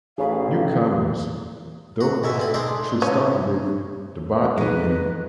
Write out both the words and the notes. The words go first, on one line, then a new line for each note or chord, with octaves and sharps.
Newcomers, though, should start with "The Bad Beginning".
A1 G#4 C#5 F5 B5
F#4
D#2 G#2 B2 E5
D2 C4 B5
G#3 D4 D#4 A#4 C5
C#4
G#3 D#4 B4